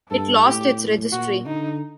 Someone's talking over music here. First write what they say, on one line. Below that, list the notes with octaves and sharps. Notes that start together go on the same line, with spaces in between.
It lost its registry.
G2 A4
A2 G4
A#2 F#4
D3 D#4